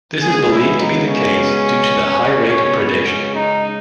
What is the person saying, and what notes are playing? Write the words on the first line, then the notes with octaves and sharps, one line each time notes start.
This is believed to be the case due to the high rate of predation.
C#3 G#3 B3 G#4
E4
D#4
C#4
C#3 G#3 B3 C#4
B3
C#4
D#4